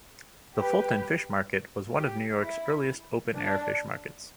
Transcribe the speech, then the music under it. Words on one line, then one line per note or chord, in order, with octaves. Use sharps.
The Fulton Fish Market was one of New York's earliest open-air fish markets.
G4 B4
G4
E4
D4